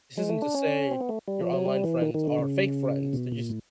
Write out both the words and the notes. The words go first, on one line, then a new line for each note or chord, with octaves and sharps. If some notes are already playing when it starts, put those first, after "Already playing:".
this isn't to say your online friends are fake friends, they just
G#3
A3
D4
C#4
C4
B3
A3
G3
F3
F#3
G3
E3
D#3
D#3
D3
C#3
B2
A#2
A2